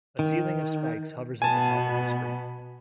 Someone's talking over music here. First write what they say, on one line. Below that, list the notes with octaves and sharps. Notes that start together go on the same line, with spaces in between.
A ceiling of spikes hovers at the top of the screen.
D#3
B2 B3 G#5 A5